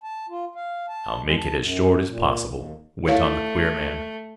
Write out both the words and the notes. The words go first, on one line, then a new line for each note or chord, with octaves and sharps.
"I'll make it as short as possible," went on the queer man.
A5
F4
F5
A5
G#3
A5
F#2
A#2
D#2
A3 E4 C#5 F5